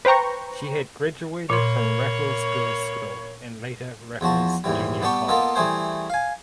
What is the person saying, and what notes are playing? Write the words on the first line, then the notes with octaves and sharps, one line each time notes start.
She had graduated from Raffles Girls’ School and later Raffles Junior College.
B4 C5 G5 A#5 C#6
A#2 A#3 B4 C#5 C6
E2 F3 F#4 A5
D#2 G#2 E3 G3
G3 B3 G4 A5 C#6
A#3 B3 F4 A4 B4 D#5
E3 G3 A3 G#4 C5
F5 G#5